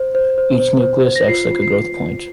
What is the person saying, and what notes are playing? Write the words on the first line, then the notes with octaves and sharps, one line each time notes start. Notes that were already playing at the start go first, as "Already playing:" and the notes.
Each nucleus acts like a growth point.
Already playing: C5
C5
C5
C5
C5
C5
A#6
F4 C7
F4
C7